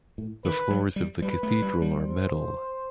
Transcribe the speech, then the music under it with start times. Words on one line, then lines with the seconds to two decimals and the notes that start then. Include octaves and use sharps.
The floors of the cathedral are metal.
0.18 A2
0.44 D#3 B4
0.70 F#3
0.96 G3
1.22 G3 B4
1.43 A3
1.62 G3
1.82 G3
2.02 C5